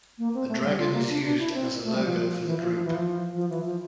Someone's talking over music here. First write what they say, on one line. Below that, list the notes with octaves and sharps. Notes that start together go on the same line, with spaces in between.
A dragon is used as a logo for the group.
A#3
C4
A3
G3
F4
A#3
D4
D4
E4
C4
A3
G3
F3
E3
F3
F3
E3
F3
F3
E3
F3